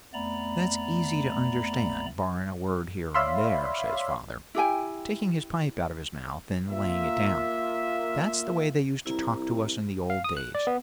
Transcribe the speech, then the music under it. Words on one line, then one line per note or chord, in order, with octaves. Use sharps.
'That's easy to understand, barrin' a word here and there,' says father, taking his pipe out of his mouth and laying it down; 'that's the way they used to talk to us in the old days.
F2 A3 B3 D5 A#5 B5
C#5 D5 E5 F5 B5 C6
E4 G4 G5 G#5
A#3 F4 E5
C2 E4 A#5
F5
D#6
F#6
D5
B3